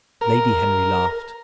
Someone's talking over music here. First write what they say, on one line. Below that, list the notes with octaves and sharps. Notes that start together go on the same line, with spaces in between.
Lady Henry laughed.
A#4